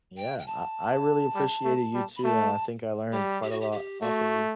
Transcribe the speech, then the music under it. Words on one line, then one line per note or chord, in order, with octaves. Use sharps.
Yeah, I I really appreciated you too, and I think I learned quite a lot off of you.
G5
G5
A5
G3
A3
G3
B5
A3 A5
G3 G4
G4
F#4
G4
G4
A3 F#4